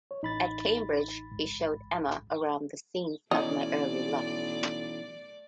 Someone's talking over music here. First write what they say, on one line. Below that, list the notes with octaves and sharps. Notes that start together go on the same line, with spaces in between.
At Cambridge he showed Emma around the "scenes of my early life".
C#5
A1 D#4 B5 A6
C#2 G#2
B1 E3 A3 C#4 D#4 D5